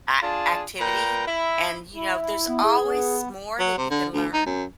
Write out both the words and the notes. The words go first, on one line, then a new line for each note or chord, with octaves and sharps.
a activity and, you know, there's always s more that you can learn,
D4 F4 G#4 A5
A#2 B4 G5 A#5
E4
E4
B3
G#4
B3
F#3
C3
D3
D2
D#4
F#2